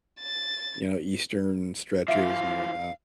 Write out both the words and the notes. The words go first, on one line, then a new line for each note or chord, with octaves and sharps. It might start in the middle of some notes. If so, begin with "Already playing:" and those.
you know, eastern stretches, and whatnot.
A6
E3 F3 E5 F5